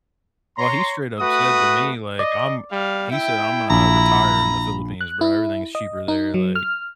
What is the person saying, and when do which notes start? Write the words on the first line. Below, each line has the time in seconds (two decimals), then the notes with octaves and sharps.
Well, he straight up said to me like, "I'm" he said "I'm gonna retire in the Philippines, bro, everything is cheaper there, like
0.57 C#5 A#5 C6
1.19 A3 F#4 B4 D#6
2.19 D5 D#5
2.72 G3 F5
3.11 E4 E5 G5
3.71 A#1 A#5 B5
5.01 F#6
5.21 E4
5.75 D#5
6.08 D#4
6.34 F#3
6.56 F6